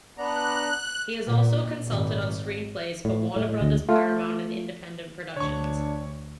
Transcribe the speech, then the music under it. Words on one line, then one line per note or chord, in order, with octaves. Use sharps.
He has also consulted on screenplays for Warner Brothers, Paramount, and independent productions.
B3 D4 A#5 F#6
A#2
G#1
A2
A2
A2
D2
A3 F4
D2 D4 C#5 C#6